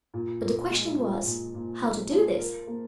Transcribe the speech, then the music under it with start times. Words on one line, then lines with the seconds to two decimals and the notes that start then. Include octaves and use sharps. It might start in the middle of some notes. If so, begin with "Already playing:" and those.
But the question was, how to do this.
0.14 A#2
0.42 A#2
0.70 G#3
0.98 F3
1.26 A#2
1.54 A#2
1.83 G#3
2.11 F3
2.39 A#4
2.67 A#3